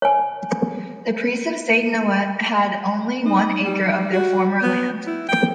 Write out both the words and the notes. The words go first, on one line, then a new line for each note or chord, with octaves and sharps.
The priests of Saint Neot had only one acre of their former land.
C#5 G#5
D#4
G3
F#4
B3
E4
G5